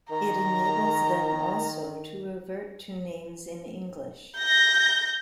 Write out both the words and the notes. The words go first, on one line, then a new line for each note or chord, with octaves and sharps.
It enables them also to revert to names in English.
D#3 A#5
G6 A#6